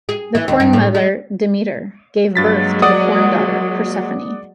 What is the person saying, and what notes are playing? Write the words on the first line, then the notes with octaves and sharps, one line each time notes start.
The Corn Mother Demeter gave birth to the Corn Daughter Persephone.
G#4
E3
D#2
G2
A2
G#3
G2 F#3 G#3 A#3 A6 B6
D5 F#5 D#6